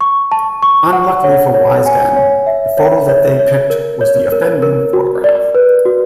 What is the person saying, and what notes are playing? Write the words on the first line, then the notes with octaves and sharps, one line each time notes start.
Unluckily for Wisden, the photo that they picked was the offending photograph.
C#6
A5
C#6
F#5
C#5
C#5
G#5
C#5
E5
C#5
C#5
C#5
A#4
C#5
A#4
A#4
F#4
D5
B4
F#4